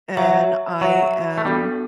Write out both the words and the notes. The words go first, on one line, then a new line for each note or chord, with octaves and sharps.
and I am
F#3 F#4 C#5 E5
F#3 F#4 C#5 E5
A3
G3 B3 D4 F#4 A4